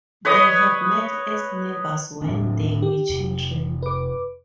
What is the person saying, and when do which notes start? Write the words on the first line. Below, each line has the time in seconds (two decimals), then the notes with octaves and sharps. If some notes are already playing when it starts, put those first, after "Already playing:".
They had met as neighbors when they were children.
0.25 B4 C#5 D#5 D#6
2.22 A2 C4 D4
2.82 G4
3.10 F1
3.82 B4 D6